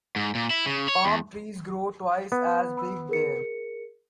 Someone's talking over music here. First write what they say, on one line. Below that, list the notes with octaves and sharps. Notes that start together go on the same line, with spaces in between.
Palm trees grow twice as big there.
G#2
A#2
E4
C#3
C#5
E2
B3
B5 E6
G#4 A#4 C#7